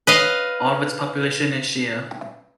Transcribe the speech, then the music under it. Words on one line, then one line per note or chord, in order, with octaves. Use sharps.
All of the its population is Shia.
B4 D#5 F5